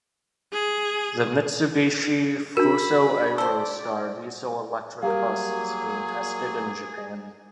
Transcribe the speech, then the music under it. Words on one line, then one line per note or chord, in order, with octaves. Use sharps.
The Mitsubishi Fuso Aero Star diesel-electric bus is being tested in Japan.
G#4
D4 F#4 A#4 B5
A4 C5 D5 E6
F#3 G3 A#3 G4 G#4 A#4 F5